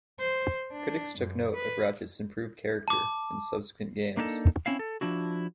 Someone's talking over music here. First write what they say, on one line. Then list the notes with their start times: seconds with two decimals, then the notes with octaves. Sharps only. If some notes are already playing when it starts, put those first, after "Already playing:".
Critics took note of Ratchet's improved character in subsequent games.
0.19 C5
0.72 D4
1.17 F#2
1.54 B4
2.88 A5 D6
4.17 A#3 D4 D#4 G4 A4
4.66 C4 C#4 E4 F5
4.79 A4
5.01 F3 D4 E4 F#4